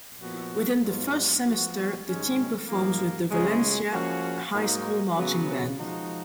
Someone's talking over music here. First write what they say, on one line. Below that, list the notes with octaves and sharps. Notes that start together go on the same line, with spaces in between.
Within the first semester the team performs with the Valencia High School Marching Band.
A#2 F3 B3 F#4
G#2 F#3 B3 F4
F3 B3 F#4
G#2 D#3 G#3 C#4
G#2 F3 A#3
F#2 C#3 G#3
F3 A#3 C#4 F#4
G#2 F#3 A#3 D#4
C#3 F#3 B3 F#4
F3 G#3 D#4 F#4